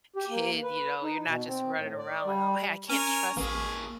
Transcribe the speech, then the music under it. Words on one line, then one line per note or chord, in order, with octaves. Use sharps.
kid, you know, you're not just running around like, "Oh, hey, I can't trust
G4
A#3
B4
D#4
B2
C4
A2
D5
G3
C#4 A#4 C#5 G#5
A1 A#3 G#4 C#5